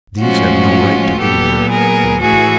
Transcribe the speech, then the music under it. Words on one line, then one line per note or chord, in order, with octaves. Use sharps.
"These have no right to be here," he muttered.
A2 F3 G#3 C#4 F4 F#4
A#2 F#3 B3 G4 A4
G#4 A#4
A2 E3 A3 F#4 G#4